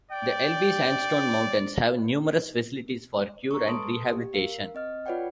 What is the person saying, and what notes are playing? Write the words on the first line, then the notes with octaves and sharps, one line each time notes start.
The Elbe Sandstone Mountains have numerous facilities for cure and rehabilitation.
D5 G5
A#5 C#6
A4 B4 A5 C6 D#6 D7
G4
A#4 F5
C4 D#5 F6
F4 B4 C#5 D5 F#5 G5